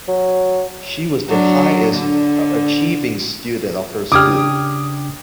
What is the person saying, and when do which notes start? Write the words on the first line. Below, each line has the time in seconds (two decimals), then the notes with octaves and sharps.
She was the highest achieving student of her school.
0.08 F#3
1.29 F#3 D4
1.94 D3
4.12 C#3 D4 G4 D6 D#6 F6 G#6